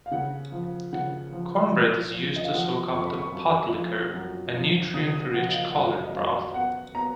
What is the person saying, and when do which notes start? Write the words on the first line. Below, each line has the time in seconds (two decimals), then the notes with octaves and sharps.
Cornbread is used to soak up the "pot liquor", a nutrient-rich collard broth.
0.06 F5
0.11 C#3 F#5
0.52 F3
0.93 C#3 F#5
1.32 F3
1.73 F3
2.13 F3
2.36 D#5
2.44 F5
2.53 F3 F#5
2.93 F2 C#6
3.06 B5
3.18 C#6
3.33 F#2
3.74 F3
4.14 F#2
4.54 F3
4.94 C#3 D#6
5.14 D#6
5.34 F3 F#5
5.49 D#5
5.54 F5
5.70 F#5
5.74 F#2 F5
6.04 D#5
6.15 F#2 F5
6.54 B3 F#5
6.95 B3 A#5